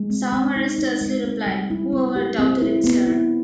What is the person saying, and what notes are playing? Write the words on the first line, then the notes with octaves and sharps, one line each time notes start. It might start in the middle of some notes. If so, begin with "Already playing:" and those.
Saumarez tersely replied Whoever doubted it, sir?
Already playing: G#3
C4
C4
D#4
D#4
G#3
C4
G3
E4
C4
G4
C4
E4
B3
E4